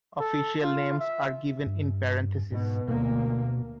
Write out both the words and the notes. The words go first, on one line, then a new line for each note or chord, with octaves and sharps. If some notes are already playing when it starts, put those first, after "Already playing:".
Official names are given in parentheses.
A4
F4
E5
G2
G#2 B2
D2 B2 A#3